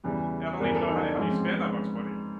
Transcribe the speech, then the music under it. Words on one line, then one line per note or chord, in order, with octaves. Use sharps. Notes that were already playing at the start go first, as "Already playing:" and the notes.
Yeah, I don't even know how do how do you spend that much money?
E2 C#3 E3 G3
E2 C#3 E3 G3 A#4
A4
D#4
D4
G#2 F3 G#3 C#4
C4
B3